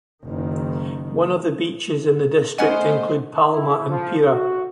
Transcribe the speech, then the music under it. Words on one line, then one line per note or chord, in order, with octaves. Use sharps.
One of the beaches in the district include Palma and Pira.
F#1 D#3
A3 B3 C#4 C5 D#5 F#5 G#5
E4
F3
F#4